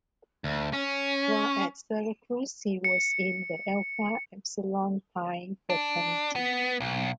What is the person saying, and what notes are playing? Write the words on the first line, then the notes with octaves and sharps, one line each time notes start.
While at Syracuse, he was in the Alpha Epsilon Pi fraternity.
D2
C#4
C#7
D4
B3
B1